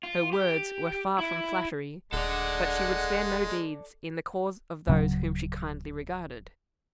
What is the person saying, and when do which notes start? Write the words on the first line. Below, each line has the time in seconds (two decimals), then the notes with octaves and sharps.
Her words were far from flattery; but she would spare no deeds in the cause of those whom she kindly regarded.
0.03 F4
0.33 G4
1.18 E4
2.13 D#1 G#3 A4 D5 F#5
4.88 D1 C#3 F#3